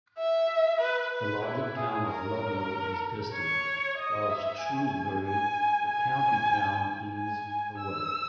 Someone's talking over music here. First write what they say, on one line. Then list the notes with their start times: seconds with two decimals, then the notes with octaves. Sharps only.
The larger town of Ludlow is distant, whilst Shrewsbury, the county town, is away.
0.18 E5
0.81 B4
1.13 B4
1.45 E4
1.76 G#4
2.07 A#4
3.34 C#5
3.98 D#5
4.29 E5
4.61 G#5
5.25 G#5
5.88 G#5
7.15 G#5
7.79 E6